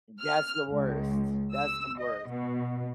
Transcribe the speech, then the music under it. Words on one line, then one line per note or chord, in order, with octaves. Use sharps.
That's the worst. That's the worst.
F6
C#2
E6
D#5
B2